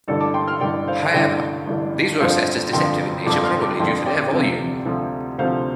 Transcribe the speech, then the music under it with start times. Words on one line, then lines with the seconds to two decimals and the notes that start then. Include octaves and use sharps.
However, these were assessed as deceptive in nature probably due to their volume.
0.08 A1 G2 D3 A4 D5
0.21 A5 D6
0.34 G5 C6
0.48 C6 F6
0.60 A1 G2 D3 D5 G5
0.87 C5 F5
1.14 A1 G2 D3 D5 G5
1.67 A1 G2 D3
2.20 G1 F2 D3 F3 C5 F5
2.73 G1 F2 D3 F3 G5 C6
3.26 G1 F2 D3 F3 A5 D6
3.44 C6 F6
3.62 A5 D6
3.79 G1 F2 D3 F3 G5 C6
4.06 D5 G5
4.32 D2 C3 F3
4.85 D2 C3 F3
5.38 D2 C3 F3 C5 F5